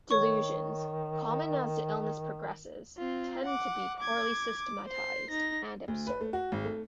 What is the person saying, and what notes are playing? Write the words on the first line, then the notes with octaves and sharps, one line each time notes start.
Delusions, common as the illness progresses, tend to be poorly systematized and absurd.
D#3 C#5 C#6
C4 F4
F#5 D6
D6 G#6
D6
C5 C7
D#4 A#6
D2
B4
A3
F#4
G#1
A3